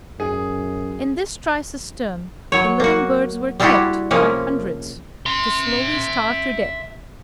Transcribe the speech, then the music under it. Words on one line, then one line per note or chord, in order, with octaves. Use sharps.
In this dry cistern the living birds were kept by hundreds to slowly starve to death.
F#2 G#4
F#3 C#5
A#3 F#4
G3 G#3 D4 E4 F#4 G4
C3 F3 G#3 A#3 C#4
E5 C6